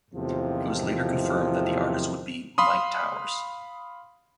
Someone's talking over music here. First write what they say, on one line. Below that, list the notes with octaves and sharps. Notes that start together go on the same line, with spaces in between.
It was later confirmed that the artist would be Myke Towers.
E2 A2 C3 D#3 F3
F5 B5 C6 D#6